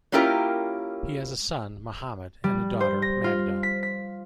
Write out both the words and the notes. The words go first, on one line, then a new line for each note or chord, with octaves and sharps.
He has a son, Mohammad, and a daughter, Magda.
A#3 C#4 E4 F4 G4 A#4
G3
C5
A#6
F4
B6
B6